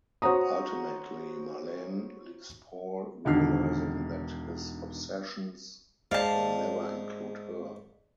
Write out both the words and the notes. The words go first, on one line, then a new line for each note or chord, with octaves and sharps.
Ultimately, Marlene leaves Paul, realizing that his obsessions will never include her.
F#4 C5 C#5 A#5 D#6
E1 D3 D#3 F6 C7
G#2 D5 F5 A5